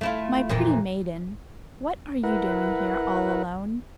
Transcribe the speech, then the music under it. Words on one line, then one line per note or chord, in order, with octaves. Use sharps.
"My pretty maiden, what are you doing here all alone?"
A3 E4 F4
F2 A#2 E3
E4 A#4 B4 F#5